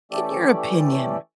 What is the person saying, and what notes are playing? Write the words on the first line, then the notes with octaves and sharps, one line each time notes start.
In your opinion,
E3 A3 C#4 G4 A4 D5